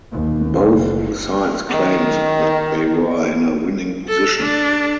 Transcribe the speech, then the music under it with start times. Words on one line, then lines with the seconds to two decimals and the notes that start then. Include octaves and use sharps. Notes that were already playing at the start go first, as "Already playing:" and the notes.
Both sides claimed that they were in a winning position.
0.12 D#2
0.59 F#1
1.70 D#3
4.08 A4
4.39 D4